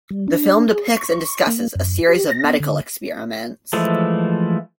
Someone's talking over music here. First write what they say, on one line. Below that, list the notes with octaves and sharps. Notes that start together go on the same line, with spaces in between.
The film depicts and discusses a series of medical experiments.
G3
D4
G#4
C#6
C#6
A#3
F#2
G4
A#6
B3
D3
E3 F3 G#3 A3